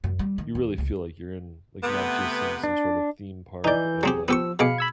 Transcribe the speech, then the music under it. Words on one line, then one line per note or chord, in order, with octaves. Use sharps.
you really feel like you're in like, not just in some sort of theme park of, like,
F#2
G3
D#3
D#2
C#2
C3 A3 B3
D4
E3 D#4 D5 G6
F#3 C4 G4 G#4
F3 B3 G4 C#6 E6
B2 G#4 F5 B5 D6 C#7
B5 E6 G#6